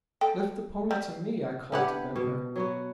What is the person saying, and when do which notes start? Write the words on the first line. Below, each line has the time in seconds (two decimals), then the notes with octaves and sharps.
"Lift the pony to me," I called to Ventnor.
0.21 A4 G5
0.91 G3
1.72 G3 B3 D4 E4 G4 F#5
2.16 B2
2.56 F#3 B3 F#4